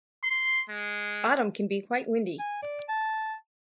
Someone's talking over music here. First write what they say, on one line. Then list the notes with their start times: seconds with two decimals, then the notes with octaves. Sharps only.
Autumn can be quite windy.
0.23 C6
0.69 G#3
2.40 G#5
2.62 D5
2.88 A5